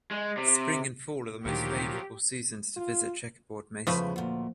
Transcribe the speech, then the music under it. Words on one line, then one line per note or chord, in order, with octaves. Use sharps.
Spring and fall are the most favorable seasons to visit Checkerboard Mesa.
G#3
C3
D2 A#2 D#3 F3 F#3 G4
F4
E2 C#3 F3 G#3 A3 B4
D2 A#2